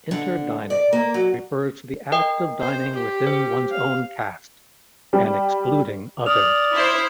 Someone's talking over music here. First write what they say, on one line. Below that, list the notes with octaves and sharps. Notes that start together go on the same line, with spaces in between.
Inter-dining refers to the act of dining within one's own caste, and excluding others.
D3
D5
A#3
F#3
A#4 D#5 G5
C5
G4
C5
F5
G3
D5 D#6 F6 F7
E4 C5